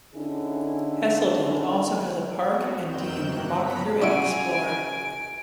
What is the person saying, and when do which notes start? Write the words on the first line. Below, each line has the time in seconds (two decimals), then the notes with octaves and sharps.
Hesleden also has a park and Dene to walk through and explore.
0.14 D3 C#4 D#4 E4 G#4 A4
2.41 B3 C4 F#4
2.85 F2 C3 D#3 G5 G6 E7
3.20 G2 A#3 F#4 F#6
3.53 C#3 B3 A#5 B5 B6
4.02 C#3 G3 F4 F#4 E5 G#5 D7